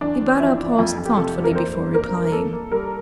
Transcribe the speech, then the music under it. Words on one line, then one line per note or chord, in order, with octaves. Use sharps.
Ibarra paused thoughtfully before replying.
E2 D4
E2
F3 E4
F3
F2 F4
F2
G4
C3 A4
F1
A#4
A#3 C5
G2
A#3 A#4
A#3
A#3 A4
A#3
G3 A#4